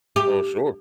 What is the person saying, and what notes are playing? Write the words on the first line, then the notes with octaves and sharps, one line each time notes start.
Oh, sure.
G4